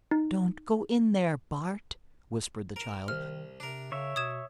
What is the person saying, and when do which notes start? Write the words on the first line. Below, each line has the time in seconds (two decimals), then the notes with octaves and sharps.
"Don't go in there, Bart!" whispered the child.
0.11 D#4
2.76 A#4
3.08 C2 D#3 F6
3.60 C3 D4 A#4
3.92 C#3 C#5 E5
4.16 B2 D#6 G#6 E7